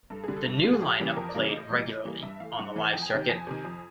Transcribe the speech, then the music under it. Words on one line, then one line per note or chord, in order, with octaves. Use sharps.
The new line-up played regularly on the live circuit.
G2 A4
D3 G3 G#4
A4
G2
D3 G3
G#4
F2 G4
C#3 E3 G3 A#3
F2 A#4
D5
C#3 E3 G3 A#3 D#5
A2 D#5
E3 G3 A#3
A2
E3 G3 A#3
G2 E5
E3 A3 F5
G2 F#5
E3 A3
F2 G5
G#5
C3 D#3 G5
F2 G#5
C3 D#3
F2